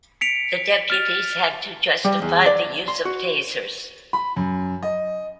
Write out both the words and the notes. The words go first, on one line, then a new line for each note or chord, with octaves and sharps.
The deputies had to justify the use of Tasers.
B6 C#7 D7 F7
F6 A6 F7
G3
E2
D5
C6
F#4
B5
F#2
D#5